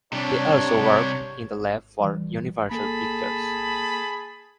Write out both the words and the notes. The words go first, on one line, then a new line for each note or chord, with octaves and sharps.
He also worked in the lab for Universal Pictures.
C3 G3 D4 C#5
E3 G3
A#3 G#4 A4 A5 B5